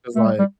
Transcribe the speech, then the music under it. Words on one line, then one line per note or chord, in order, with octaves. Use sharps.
'cause like
A3
G3
G3